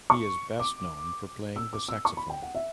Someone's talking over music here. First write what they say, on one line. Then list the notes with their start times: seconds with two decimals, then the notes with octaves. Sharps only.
He is best known for playing the saxophone.
0.10 C#6
0.59 D6
1.56 E6
1.73 D6
1.88 E6
2.05 C#6
2.17 B5
2.30 G5
2.42 F#5
2.55 E5